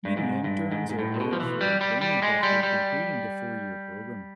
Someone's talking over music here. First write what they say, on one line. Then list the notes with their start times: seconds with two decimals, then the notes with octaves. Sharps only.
Many interns are hired for employment after completing the four-year program.
0.05 G2
0.17 G#2
0.44 G2
0.72 G#2
0.90 G#2
0.99 A2
1.14 A#2
1.20 B2
1.33 F3
1.40 E3
1.61 G3
1.81 G3
2.01 G3
2.22 G#3
2.43 G3
2.63 G3